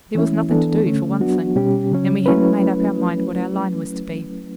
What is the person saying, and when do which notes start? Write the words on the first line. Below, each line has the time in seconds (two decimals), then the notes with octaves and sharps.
There was nothing to do, for one thing; and we hadn't made up our mind what our line was to be.
0.15 E3 A3 C#4 E4
0.50 E3 B3 D4 A4
0.86 D3 A3 C#4
1.20 F#3 B3 D4 F#4
1.56 B2 G3 C#4 G4
1.91 C#3 F#3 C#4
2.26 F#3 A3 C#4 E4 B4